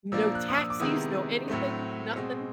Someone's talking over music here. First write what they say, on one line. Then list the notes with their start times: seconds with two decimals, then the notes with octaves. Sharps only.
No taxis, no anything, nothing.
0.12 A#2 F3 A#3 D4 E6
0.35 F#6
0.49 D#6
0.57 E6
0.70 D6
0.80 C3 D#3 G#3 B3 E4 D#6
1.48 A2 F#3 A3 C4
2.16 B2 G#3 C4